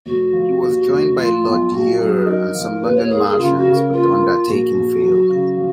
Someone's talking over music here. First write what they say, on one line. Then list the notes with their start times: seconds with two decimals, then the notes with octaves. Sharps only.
He was joined by Lord Eure and some London merchants, but the undertaking failed.
0.06 F1 F#4
0.33 F3
0.61 D#2
0.88 F1
1.16 F3 F4
1.44 B1
1.71 A#1 F#4
1.99 F#3 G#4
2.26 D#4 A#4
2.55 F3
2.82 D#2 B4
2.96 C#5
3.09 A#3 G#4
3.23 G#4
3.37 C#3 F4
3.55 F#4
3.65 C#3
3.74 A#4
3.92 A#3 F4
4.19 A#3
4.47 A#1 F#4
4.74 A#1
5.02 F#3
5.29 C#3
5.57 F3